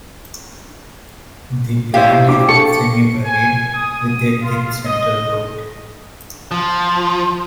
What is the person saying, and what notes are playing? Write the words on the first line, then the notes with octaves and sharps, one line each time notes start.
The plant is semi buried with a thick central root.
E4 G4 C5 F5
D4 D6
A4 C#6 C#7
G#5
D#6
F4
D#5
F3